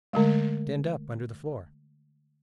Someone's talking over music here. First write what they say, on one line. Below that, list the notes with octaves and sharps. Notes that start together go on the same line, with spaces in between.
"Denned up, under the floor!"
D3 G#3 A3